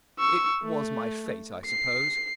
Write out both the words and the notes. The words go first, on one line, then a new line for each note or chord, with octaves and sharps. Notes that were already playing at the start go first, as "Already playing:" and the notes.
It was my fate, I suppose.
C#6 E6
A3
C7